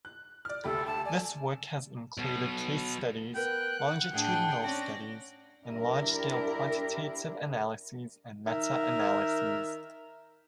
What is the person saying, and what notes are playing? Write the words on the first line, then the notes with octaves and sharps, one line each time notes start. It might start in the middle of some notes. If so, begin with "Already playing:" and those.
This work has included case studies, longitudinal studies, and large-scale quantitative analyses and meta-analyses.
F#6
D5 F6
D2 G4 A4 B5
A5
D5 G#5
B1 B2
B3 A#4 B4 G5 F#6
F#5
A2 D4 G#4 G5
C4 C#4 D5 A#6
D4 E4 G4 A#4
D#3 A#4 E5